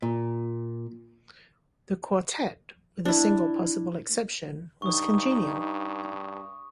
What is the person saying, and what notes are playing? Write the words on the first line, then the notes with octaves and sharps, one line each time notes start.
The quartet, with a single possible exception, was congenial.
A#2
D4 E4
G2 D#4 C#6 D#6